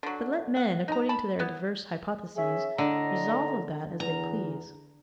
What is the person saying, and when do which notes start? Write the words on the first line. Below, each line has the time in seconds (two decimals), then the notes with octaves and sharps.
But let men, according to their diverse hypotheses, resolve of that as they please.
0.03 D3 F#3
0.57 F#5
0.88 D#4 A#5
1.09 A5 B5
1.39 B3 E4
2.36 C#4 G#4 E5
2.78 A2 D3 D#5 A#5
4.00 E2 E3 A#5